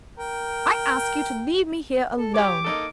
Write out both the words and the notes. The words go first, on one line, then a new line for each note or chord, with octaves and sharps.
I ask you to leave me here alone.
A#4 G5
A4
G4 C#5 D6
A#3 D#4 A4